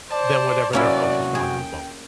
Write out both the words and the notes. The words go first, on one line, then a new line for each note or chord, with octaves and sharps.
than whatever they're focused on in the moment.
C5 D5 A5
C3 F#3 A#3 C#4 E4 F#4 A#4 D5
G#4 G5